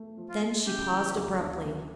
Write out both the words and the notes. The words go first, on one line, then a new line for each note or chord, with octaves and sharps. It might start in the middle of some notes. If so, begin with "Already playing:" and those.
Then she paused abruptly.
Already playing: A3
F3
F4
A3
C#3 G4
E3
D2
D2
D2